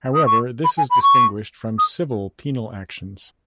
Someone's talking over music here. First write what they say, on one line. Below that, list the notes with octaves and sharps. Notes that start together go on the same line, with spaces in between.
However this is distinguished from civil penal actions.
D#6
C#6
B5
G#5
B5
C#6
D#6